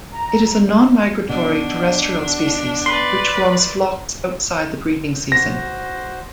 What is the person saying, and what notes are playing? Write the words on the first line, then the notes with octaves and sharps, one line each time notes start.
It is a non-migratory terrestrial species, which forms flocks outside the breeding season.
A#5
B2 D4
B4 D5 C6
F#4 C5 A#6